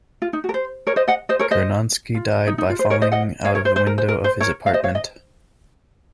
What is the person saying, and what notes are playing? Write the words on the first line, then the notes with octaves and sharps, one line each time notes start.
Curnonsky died by falling out of the window of his apartment.
F4
D#4
F#4
A#4
C5
A#4 C#5
C5 D#5
D#5 F#5
C5 D#5
A#4 C#5
C5 D#5
F4
D#4
D#4
F4
C5
A#4 C#5
C5 D#5
D#5 F#5
C#5 F5
A#4 C#5
C5
C5
A#4
C5
A#4
C5
A#4 C#5
F5
C5 D#5
C#5 F5
D#5